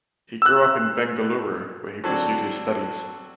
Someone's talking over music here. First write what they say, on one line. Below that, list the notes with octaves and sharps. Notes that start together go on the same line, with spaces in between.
He grew up in Bengaluru, where he pursued his studies.
E6 F#6
D3 F#3 C4 D4